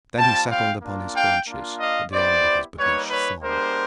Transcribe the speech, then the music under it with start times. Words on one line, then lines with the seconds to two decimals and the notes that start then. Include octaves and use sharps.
Then he settled upon his haunches at the end of his babeesh thong.
0.18 G3 C4 F4 G5 A5
0.50 F5 G5
0.82 A#3 D4 F4
1.15 F5 G5
1.48 A#3 D4 F4
1.80 D#5 F5
2.13 B3 E4 G4 C5 D5
2.78 G3 A#3 D#4 B4 C#5
3.10 B4 C#5
3.42 G#3 B3 D4 G4 A#4 C5